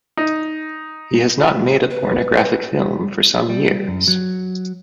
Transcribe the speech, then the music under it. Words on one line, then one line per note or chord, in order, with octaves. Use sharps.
He has not made a pornographic film for some years.
D#4
B4
G3
F#2
F#3